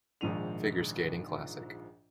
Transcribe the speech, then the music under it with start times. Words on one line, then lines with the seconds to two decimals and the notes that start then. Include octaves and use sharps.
Figure Skating Classic.
0.21 A#1 G#2 D#3 F3 D#7 F7